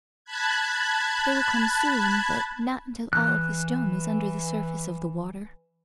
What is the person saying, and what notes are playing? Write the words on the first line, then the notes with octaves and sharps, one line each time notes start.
"They will come soon, but not until all of this dome is under the surface of the water."
A5 B5 F#6 G#6
E3 F#6